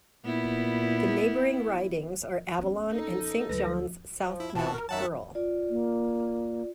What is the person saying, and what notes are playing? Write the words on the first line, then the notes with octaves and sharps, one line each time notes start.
The neighbouring ridings are Avalon and Saint John's South-Mount Pearl.
A#2 B3 E4
B3 C#4
D#4 A4
D2 F#3 B4 A#6
F3
E4
B2 F3 C4 F#4 A5
A#4
F#2 D#3 F#3 E5 F#5 A5
F4 D5
A#3